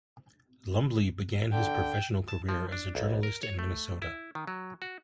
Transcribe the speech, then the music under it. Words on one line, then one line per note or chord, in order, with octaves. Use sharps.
Lumbly began his professional career as a journalist in Minnesota.
D3 G5
A5
F3
D4
B1
A#4
C#5
A3
E4
D#3
F#3
F#4